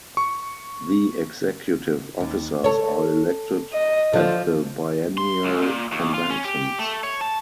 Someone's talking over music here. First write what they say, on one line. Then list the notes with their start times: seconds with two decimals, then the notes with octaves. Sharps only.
The Executive Officers are elected at the biennial conventions.
0.17 C#6
2.20 D#2
2.64 A4 C#5
3.73 D#5
4.13 D3 F3
5.18 C6
5.43 C#2
5.62 A#2
5.92 D#2
6.14 F4
6.30 C#4
6.45 G4
6.79 A3
7.03 C#5
7.21 A5